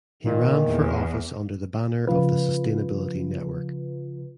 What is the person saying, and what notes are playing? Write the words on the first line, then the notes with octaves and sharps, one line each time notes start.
He ran for office under the banner of the Sustainability Network.
A#2 D#3
E2
C#3 F3 F4 B4